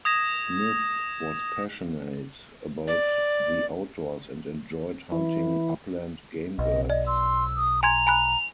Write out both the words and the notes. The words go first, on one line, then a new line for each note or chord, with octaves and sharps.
Smith was passionate about the outdoors and enjoyed hunting upland game birds.
D#6 G#6 A#6 E7
D5
E3 E4
B1 D#5
D5 D#5
C6 E6
D#6
G#5 A#5 C6 G#6 F7
G#5 B5 F#6